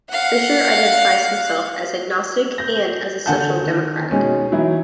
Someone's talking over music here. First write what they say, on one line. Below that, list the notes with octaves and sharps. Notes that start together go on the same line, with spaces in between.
Fischer identifies himself as agnostic and as a social democrat.
F5 F#5
G6 A#6
D3 A#4 F#5 G#5 A5 G6
D#3
B2 G#3 C#4 D#4
E3 F#3 D#4 E4